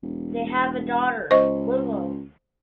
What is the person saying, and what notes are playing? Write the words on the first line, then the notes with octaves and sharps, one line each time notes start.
They have a daughter, Willow.
E1
C#2 C5 D#5 C#6